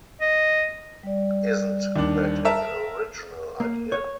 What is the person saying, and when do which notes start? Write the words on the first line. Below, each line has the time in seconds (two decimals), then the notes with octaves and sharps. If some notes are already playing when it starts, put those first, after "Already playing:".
Isn't that an original idea?
0.21 D#5
1.03 G3 D5
1.96 D#2 D4
2.45 A#4 E5 A5
3.60 A#3
3.92 C#5